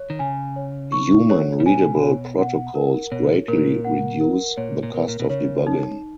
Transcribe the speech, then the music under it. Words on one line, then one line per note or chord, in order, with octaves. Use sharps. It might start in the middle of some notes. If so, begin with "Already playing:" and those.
Human readable protocols greatly reduce the cost of debugging.
Already playing: C#5
D#3
C#3 G#5
C#5
C#6
C#5
C#3
B2 G#5
C#5
F#5
A#4
B2 C#5
A#2 A#4
F#5
A#4
A#2 C#5
A#2
B2 A#4
A#2
B2
C#3 C#5
D#4